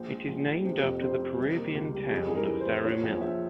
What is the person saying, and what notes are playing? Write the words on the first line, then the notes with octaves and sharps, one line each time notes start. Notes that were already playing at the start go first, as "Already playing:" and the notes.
It is named after the Peruvian town of Zarumilla.
Already playing: A#1 C5
G#3
A#1
A#1
C3 C5
F2
C3 C5
C3
G3
A#3
C#2
G3
F2 G#4
E3 G#4
A#4
E3
C5
F2
F3 C#5
A#1
F3 E5